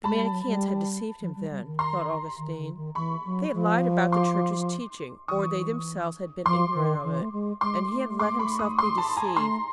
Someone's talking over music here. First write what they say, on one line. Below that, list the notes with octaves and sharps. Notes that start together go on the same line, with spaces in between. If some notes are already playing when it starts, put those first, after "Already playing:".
The Manicheans had deceived him, then, thought Augustine; they had lied about the Church's teaching; or they themselves had been ignorant of it, and he had let himself be deceived.
G#3 A5 B5
G3
F#3
G3
F3
G3
G3
D#3
A#5 C6
D#3
D3
D#3
E3 B5 C#6
F#3
F3
C6 D6
E3 C#6 D#6
F3 C6 D6
D#3
E3
A3
G#3
G#3 C6 D6
A3
C6 D6
B5 C#6
C#6 D#6
C6 D6
A5 B5
G#5 A#5
A3 A#5 C6